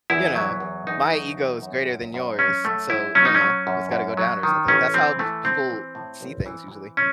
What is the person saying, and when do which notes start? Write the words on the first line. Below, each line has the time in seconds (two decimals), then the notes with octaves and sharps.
"You know, my ego is greater than yours, so, you know, it's gotta go down or something," that's how m people see things usually.
0.10 E2 E4
0.35 F#3
0.60 E2
0.87 E2 D#4
1.12 F#3
1.38 E2
1.62 F#2
1.89 F#2
2.14 F#2
2.39 F#3 C#4
2.64 F#2 A3
2.90 F#2 E4
3.15 F#3 C#4
3.25 D#4
3.35 C#4
3.41 F#3
3.67 F#2
3.92 F#2
4.17 F#3
4.43 D#3
4.68 A1 C#4
4.94 E3 C4
5.19 E3 A3
5.44 A2 C4
5.70 E3
5.95 A2
6.21 A1
6.46 E3
6.71 E3
6.97 C#4